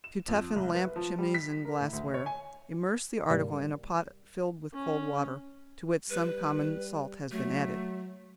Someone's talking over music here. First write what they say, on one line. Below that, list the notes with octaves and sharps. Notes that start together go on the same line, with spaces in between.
To Toughen Lamp Chimneys and Glassware.--Immerse the article in a pot filled with cold water, to which some common salt has been added.
E7
F2
C2
B4
F3
G3
B6
A#4
A2
D2
C#5
G#5
C2 G#2 G3 A#3
C#4
G3 B4
F#3 A3